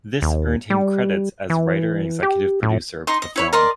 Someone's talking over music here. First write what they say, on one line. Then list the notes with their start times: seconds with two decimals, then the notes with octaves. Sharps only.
This earned him credits as writer and executive producer of the film.
0.22 D#2
0.70 G3
1.50 E3
2.23 G4
2.63 A2
3.07 D#4 D#5 C6
3.22 D#5
3.36 E4 C#5 B5
3.53 A#4 D5 D#5 C6